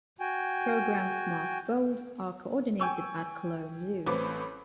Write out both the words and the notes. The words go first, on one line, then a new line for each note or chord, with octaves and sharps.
Programmes marked bold are coordinated at Cologne Zoo.
F#4 G5 G#5
G5 G#5 C#6 E6
A1 A2 C4 B4 D6